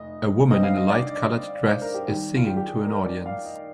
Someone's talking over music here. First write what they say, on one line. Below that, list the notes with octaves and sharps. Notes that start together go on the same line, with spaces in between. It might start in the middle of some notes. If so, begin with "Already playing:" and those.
A woman in a light colored dress is singing to an audience.
Already playing: F1 D#5
G2 D3 G3 C4 D#5
F5
D#5
D5
C5
A#4
G4
D#2 D#3 G3 G4
F4
G4
G4
G#4
A#4
D5
F5
D#5